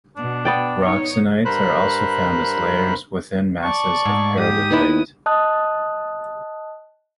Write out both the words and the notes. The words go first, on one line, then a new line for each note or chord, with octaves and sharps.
Pyroxenites are also found as layers within masses of peridotite.
B2 D4
B3 D5 G5
D#4 C#5
G2 A#4 C5 B5 F#6
D5 A5 C#6
G#2
G4 D#6
D#2 B3 D#4 E4
D#5 A5 D#6 F#6